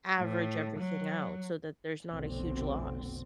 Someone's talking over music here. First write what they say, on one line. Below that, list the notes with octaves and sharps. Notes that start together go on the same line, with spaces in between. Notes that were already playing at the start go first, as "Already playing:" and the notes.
average everything out so that there's not a huge loss.
A2
F#3
F1 B1 B2 D3 C4